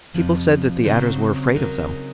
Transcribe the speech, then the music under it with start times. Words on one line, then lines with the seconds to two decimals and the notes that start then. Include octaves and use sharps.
People said that the Adders were afraid of them.
0.14 F2 C3 F3
0.84 C#3 F#3 C4 D#4
1.55 C#3 F#3 C4 D#4 A#4